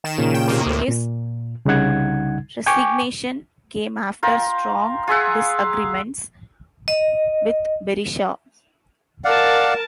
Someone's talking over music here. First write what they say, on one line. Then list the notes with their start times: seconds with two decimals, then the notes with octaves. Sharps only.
His resignation came after strong disagreements with Berisha.
0.04 D#3 E7
0.18 A#2 C#3
0.34 G5
0.48 C3 D#3 A#3
0.66 D2 A2
0.88 A#2
1.65 C2 C#3 G3 D#4 F#5 G#6
2.66 G5 G#5 C#6 D6
4.23 F4 A#4 G5
5.07 F4 G#4 E5 F#5
6.88 D#5
9.25 A#4 D5 F5 F#5 A5